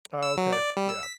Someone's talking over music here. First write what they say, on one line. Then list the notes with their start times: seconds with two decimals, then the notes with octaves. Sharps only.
Oh, okay. Yeah.
0.23 E6
0.37 F#3
0.53 D5
0.77 G3
0.89 E6
1.03 B6